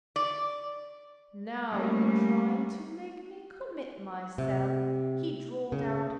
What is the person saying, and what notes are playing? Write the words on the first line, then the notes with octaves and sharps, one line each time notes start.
'Now you're trying to make me commit myself,' he drawled out.
D5
G3 A3 A#3 C#4
C3
C#3